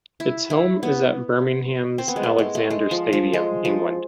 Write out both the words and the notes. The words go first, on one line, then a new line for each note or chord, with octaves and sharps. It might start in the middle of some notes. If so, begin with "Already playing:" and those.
Its home is at Birmingham's Alexander Stadium, England.
E4
E4
B3
C4
B3
G#3
A3
G#3
A3
G#3
F3
F3
G#3
F3